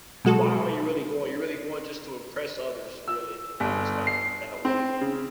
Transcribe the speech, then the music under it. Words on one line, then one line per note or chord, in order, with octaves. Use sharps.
why are you really going? You're really going just to impress others, really. I just find them that way.
B2 F#3 G#3 F#4 A4
E6
G1
C7
C4
C#3